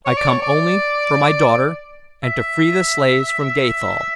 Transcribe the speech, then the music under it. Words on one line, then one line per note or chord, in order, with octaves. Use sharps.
I come only for my daughter and to free the slaves from Gathol.
C#5
D5
C#5
D5
E5